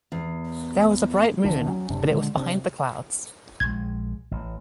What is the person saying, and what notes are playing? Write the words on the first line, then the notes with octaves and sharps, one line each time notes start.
There was a bright moon, but it was behind the clouds.
E2
D2 D#3 D4
F#3 C#4
D1 F#2 C3 D4
A#2 D3 G#3
C3 D4
A#1 G#3 G#6
A1